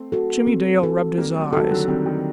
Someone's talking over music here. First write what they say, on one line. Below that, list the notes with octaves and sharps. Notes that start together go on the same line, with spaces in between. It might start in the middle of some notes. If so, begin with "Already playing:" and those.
Jimmie Dale rubbed his eyes.
Already playing: A3 C4
F#4 A4
C4
F#4 A4
G3 A#3 C4
F#3 A3
D#3 G3 F#4 A4
D3 F#3
D#3 G3 C4
D#3 G3